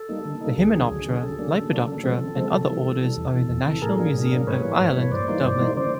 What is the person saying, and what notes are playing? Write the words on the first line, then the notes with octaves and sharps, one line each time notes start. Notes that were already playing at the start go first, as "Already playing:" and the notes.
The Hymenoptera, Lepidoptera and other orders are in the National Museum of Ireland, Dublin.
Already playing: A4
G3 A#3 D#4
D3
G3 A#3 D#4
D2 G#4
D3 F#3
D2
D3 F#3
C#3 A4
F#3 A#3 D4
C#3
F#3 A#3 D4
C#3 A4
F3 G#3 C4
C#3
F3 G#3 C4
C3 A4
E3 G3
C3
E3 G3
E2
C3 E3
E2
C3 E3
A2 G#4 A#4
F#3 A#3 D4
A2
F#3 A#3 D4
G#2 B4 C#5
E3 G3 A#3
G#2
E3 G3 A#3
C#5
G2 C5 D5
E3 G3 A#3 D#4
G2
E3 G3 A#3 D#4
C#3 C5 D5